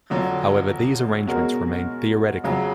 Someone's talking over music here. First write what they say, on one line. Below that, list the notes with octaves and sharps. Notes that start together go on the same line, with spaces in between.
However, these arrangements remained theoretical.
F2 D3 F#3
B2 G#3 C#4 F#4 A#4
F2 C#3 F#3